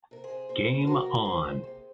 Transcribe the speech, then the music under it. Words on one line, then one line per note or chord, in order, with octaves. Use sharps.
Game On!
C3 A#4
G#4 C5
C3
A#3 G#4 C5
A#3
C5
C3 F#4 A#4
A#3
C3 G#4 C5
A#3
C3